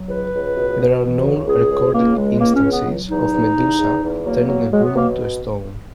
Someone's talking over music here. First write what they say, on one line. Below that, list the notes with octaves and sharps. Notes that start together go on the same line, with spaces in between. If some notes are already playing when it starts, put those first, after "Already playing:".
There are no recorded instances of Medusa turning a woman to stone.
Already playing: F#3
C#2 B4
C#2
B2
B2
E3
C#3
C#2 G#4
C#2
C#2 A#3
C#2 G#3
C#2 A#3
C#4
C#2
B3
F#3
E2 D#4
E2
E2
E2
E2
F#3 A#3
F#3
F#3 G#3
B3
B2 A#3